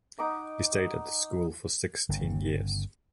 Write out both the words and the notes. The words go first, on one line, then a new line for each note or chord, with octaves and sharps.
He stayed at the school for sixteen years.
D#4 F#5 D6 D#6
G1 C#3